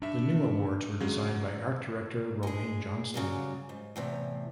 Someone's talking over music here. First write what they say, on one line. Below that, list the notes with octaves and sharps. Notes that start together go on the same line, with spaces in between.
The new awards were designed by art director Romain Johnston.
G2 D4 E5
C#3 F#3 G#3
G#3 G#4
C#3 F#3 G3
G#2
E2 A2 C3